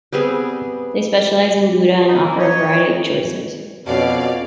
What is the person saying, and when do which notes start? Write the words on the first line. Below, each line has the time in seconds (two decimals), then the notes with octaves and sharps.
They specialize in Gouda and offer a variety of choices.
0.12 G3 B3 C4 G#4
2.09 D#4
2.23 A#3
2.39 C#5 D#5
3.87 F2 B2 C#4 D5 F5